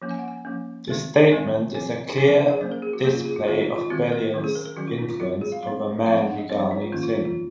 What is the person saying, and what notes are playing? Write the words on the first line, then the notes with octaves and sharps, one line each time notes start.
This statement is a clear display of Belial's influence over man regarding sin.
F3 A#3 C#4
G#5
F#5
G#5
F3 A#3 C#4
D#3 G#3 C4
D#3 G#3 C4 G#5
F3 C4 G#5
F3 C4 G#5
A#4
A#4
G#4
F#3 A#3 C#4 C5
A#4
G#4
F#4
F#3 A#3 C#4 G#4
F4
G#4
F#4
D#3 G#3 C4 F4
D#4
F4
D#3 G#3 C4 F#4
A#4
C5
D#3 F#3 C#4
G#4
A#4
A#4
D#3 F#3 C#4 F#4
F4
D#4
F4
F#3 C4 F#4
G#4
F5
F#3 C4 F5
F3 C4 F5
F#5
F#5
D#5
F3 C4 C#5
C5
D#4
F4
D#3 A#3 C#4 F4
F4
D#4
F4